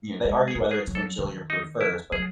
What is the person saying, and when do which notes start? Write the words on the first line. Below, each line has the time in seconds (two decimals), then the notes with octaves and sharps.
you know, they argue whether it's from Chile or Peru first, but
0.25 G#3
0.48 G#4
0.55 G#3
0.71 G#4
0.87 F#3
0.95 A4
1.18 D#3
1.50 D#4
1.81 E4
2.12 F#3 G#4